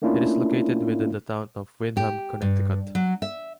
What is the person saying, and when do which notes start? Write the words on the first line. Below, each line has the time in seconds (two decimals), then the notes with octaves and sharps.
It is located within the town of Windham, Connecticut.
0.02 A3 A#3 C#4 D4 E4 F4
1.97 G4
2.41 G2
2.95 F#3
3.22 E5